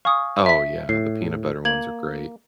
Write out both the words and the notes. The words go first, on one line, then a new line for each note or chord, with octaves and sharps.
Oh, yeah, the peanut butter ones are great.
F5 G#5 C#6 D#6
E5 B6
A2 C7
A#3 G#6 F#7